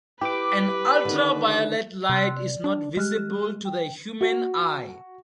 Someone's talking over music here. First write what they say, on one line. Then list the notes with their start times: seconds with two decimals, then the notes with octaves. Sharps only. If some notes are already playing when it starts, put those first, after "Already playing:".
An ultraviolet light is not visible to the human eye.
0.21 E4 G4 B4 D6
1.05 D3 D#3
2.09 C3 C6 E6 F#6
2.37 D5
2.64 D4
2.97 G#3 G4 F6 F#6
3.65 G5
4.21 F#4